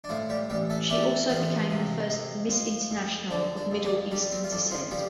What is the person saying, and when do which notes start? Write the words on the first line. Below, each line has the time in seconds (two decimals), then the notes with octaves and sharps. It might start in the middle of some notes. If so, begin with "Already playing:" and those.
She also became the first Miss International of Middle Eastern descent.
0.04 D4
0.09 A2 F3 F4
0.29 G3 G4
0.50 A1 G3 G4
0.70 A3 A4
0.90 G3 A3 G4
1.30 A1 F3 F4
1.71 C3
2.10 F2
2.51 F3
2.91 F2
3.31 D3 D4
3.57 D4
3.71 F2
3.84 D4
4.11 G3 D4
4.31 C4
4.44 F4
4.51 F2 D4
4.71 F3 F4
4.91 F3 G3 G4